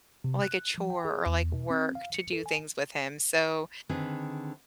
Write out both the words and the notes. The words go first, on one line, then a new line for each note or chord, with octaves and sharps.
like a chore or like work to do things with him, so,
C3
F#6
F3
G5
G#4
E2
B2
C4
F5
C#7
A4
G#5
D3 D#3 C4 G#4 B4